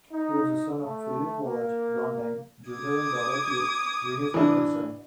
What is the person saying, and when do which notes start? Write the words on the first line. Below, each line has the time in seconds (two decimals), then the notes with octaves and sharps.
He was the son of Philip Wallach Blondheim, Junior and Dorothy Winifred Hudson.
0.12 D#4
0.83 A3
1.44 A#3
2.70 D6 D#6 G#6
4.34 E3 D4